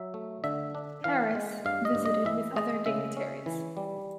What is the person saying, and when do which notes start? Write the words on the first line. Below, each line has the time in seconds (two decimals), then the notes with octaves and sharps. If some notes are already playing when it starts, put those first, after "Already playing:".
Harris, visited with other dignitaries.
Already playing: F#3 E5
0.14 A3
0.44 D3 E5
0.75 D4
1.04 E3 F5
1.35 G#3
1.65 G2 F5
1.85 D#5
1.95 G2
2.06 D#5
2.25 E3 E5
2.56 G#3 D#5
2.86 C#3 E5
3.17 C#4
3.46 E3
3.77 G3